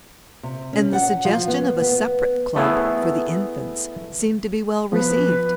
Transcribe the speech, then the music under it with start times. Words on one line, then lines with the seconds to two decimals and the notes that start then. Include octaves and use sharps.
And the suggestion of a separate club for the Infants seemed to be well received.
0.43 C3
0.73 C#4
0.93 F#5
1.25 F3
1.48 B3
1.81 B3
2.56 A3 B3 E4 G#4
4.92 F3 B3 B4